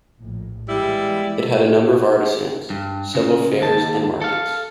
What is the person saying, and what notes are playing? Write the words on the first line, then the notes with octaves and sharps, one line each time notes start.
It had a number of artisans, several fairs and markets.
A#1 A2
E3 G3 G#3 B3 E4
G2
C#3
D#2 A5
A4 F5